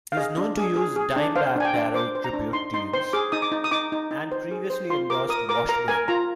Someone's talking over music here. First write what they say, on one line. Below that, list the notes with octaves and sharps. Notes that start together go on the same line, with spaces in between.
He is known to use Dimebag Darrell tribute Deans and previously endorsed Washburn.
F5
G#4 D#5
D4
G#4
G#4
G#4
D4
C5 F5
D4 G#5
G5
D4
C5 D6
C5
A#5
D4
D#4 C6
D#4 C6
C5 C6
G#4 D6
D#4 D#6
D6
D#4
D#6
D#4 D6
D#4
D#4
C5
G#4
C5
F4 C6
A#4 D6
A#4 D#6
A#4 D6
A#4 A#5
A#4 G#5
F4 A#5